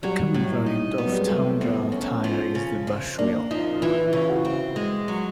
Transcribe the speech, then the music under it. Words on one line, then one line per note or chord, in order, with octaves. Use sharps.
A common variant of tundra tire is the bushwheel.
F#3 G3
A2
D#4
F#3 B3
G3
G#3
C3 A3
F2 B3
F2 C#4
F3
C#3
F2
A#3 D4
F3 D#4
F4
E3 E4
E4
C#3 E4
F#4
C4
G#3
F#3